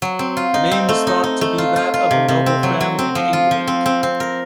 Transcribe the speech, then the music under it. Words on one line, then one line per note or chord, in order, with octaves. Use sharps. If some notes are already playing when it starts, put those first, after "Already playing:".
The name was thought to be that of a noble family in England.
F#3
C4
F4
D#4
C4
A3
D#4
D#4
A3
F4
F4
F4
C3
C3
C4
F#3
F#3
C4
F3
F4
F3
C4
C4
C4
A#4